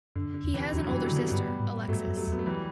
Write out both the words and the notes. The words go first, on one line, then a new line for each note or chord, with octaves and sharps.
He has an older sister, Alexis.
F#2 D3
D3
E2
C3 E3
E2 D3 F#3
F#2 E3 G3
F#3 A3
D3
G3 B3
G2 G3 B3
A2
G2 F#3 A3
F#2
F#3 A3
E2
B3
A3
E3 G3